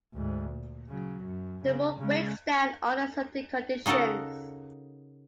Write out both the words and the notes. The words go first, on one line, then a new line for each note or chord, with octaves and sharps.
The rule breaks down under certain conditions.
D2 G#2
A#2
C#3 F#3
F#2
C#3
C#3 G#3
C#3 D#4 F#4 A4 A#4